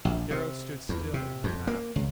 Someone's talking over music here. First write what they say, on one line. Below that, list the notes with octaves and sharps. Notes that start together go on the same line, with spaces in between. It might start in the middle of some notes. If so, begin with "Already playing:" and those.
Darrow stood still in the path.
A#1
C3
E2
C3
F2
A#3
C#2